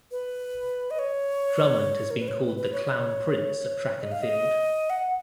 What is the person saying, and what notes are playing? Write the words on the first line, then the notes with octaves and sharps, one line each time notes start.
Drummond has been called the "Clown Prince" of Track and Field.
B4
D#5
C#5
A#4
B4
C#5
B4
B4
C#5
D#5
F5
D#5
F#5